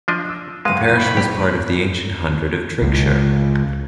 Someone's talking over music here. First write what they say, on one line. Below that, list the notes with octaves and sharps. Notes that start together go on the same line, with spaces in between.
The parish was part of the ancient hundred of Triggshire.
F3 D4 D#5
E6
F#1 G#3 F5 D#7
B5
F#1 G4
C#2